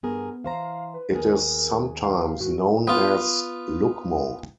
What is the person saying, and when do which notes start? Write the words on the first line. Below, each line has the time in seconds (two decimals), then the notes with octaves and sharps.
It is sometimes known as lucmo.
0.03 G2 B3 G#4 A#4
0.44 E3 C5 F5 A#5
0.94 B4
1.11 D#2 B3 G#4 A#4
2.02 F5
2.40 G#2 D#3 F#4
2.87 B3 F4